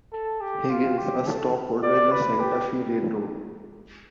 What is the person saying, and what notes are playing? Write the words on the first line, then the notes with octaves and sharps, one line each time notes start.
Higgins, a stockholder in the Santa Fe Railroad.
A4
G4
F4
G4
A4
D5
B4
G4